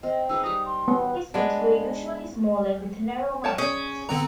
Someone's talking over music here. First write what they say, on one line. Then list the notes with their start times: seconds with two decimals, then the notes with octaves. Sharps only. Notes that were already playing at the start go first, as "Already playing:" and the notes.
His books were usually smaller with narrow margins.
0.03 C4 D#5
0.29 D#4 G#4 B4 E6
0.44 G3 A#5 D#6
0.66 C6
0.88 B3
1.34 G#3 B3 D4
3.44 C#5 G5 A5
3.58 C#4 G#4
4.09 D3 B3 C4 A#5